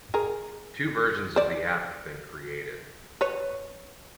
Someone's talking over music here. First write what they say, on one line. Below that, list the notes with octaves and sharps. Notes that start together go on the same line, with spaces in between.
Two versions of the app have been created.
G#4 A#4
C5 D5
B4 C#5